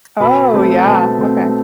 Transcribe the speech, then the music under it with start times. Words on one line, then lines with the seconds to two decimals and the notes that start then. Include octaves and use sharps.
Oh, yeah. Okay.
0.20 B2 B5
0.54 A3 C4
0.86 B2 A5
1.19 A3 C4